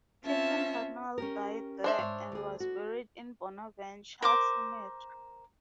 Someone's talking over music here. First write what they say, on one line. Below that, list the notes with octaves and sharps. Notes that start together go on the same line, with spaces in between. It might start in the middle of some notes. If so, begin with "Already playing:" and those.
Captain Tattnall died there and was buried in Bonaventure Cemetery.
C4 C#4 F4 E5 A5
C#4 G4 A#4
D4 C5 E5
G#2 C#5
D2 G#4
F#4
A#4 C5 D6